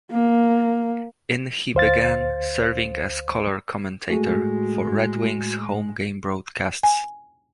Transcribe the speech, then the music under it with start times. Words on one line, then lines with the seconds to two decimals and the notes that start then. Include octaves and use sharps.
In he began serving as color commentator for Red Wings home-game broadcasts.
0.12 A#3
1.75 D2 C5 F5 A6
4.10 A2 G#3 A3 F#4 G#4
6.83 G#5